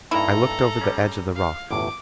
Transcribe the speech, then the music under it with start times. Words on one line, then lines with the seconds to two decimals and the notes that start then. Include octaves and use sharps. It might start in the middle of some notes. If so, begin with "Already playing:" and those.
I looked over the edge of the rock.
0.11 G2 A#3 D#4 E4 A4 A#5
0.81 G3 C#4
1.35 F5
1.71 G1 E2 A2 D6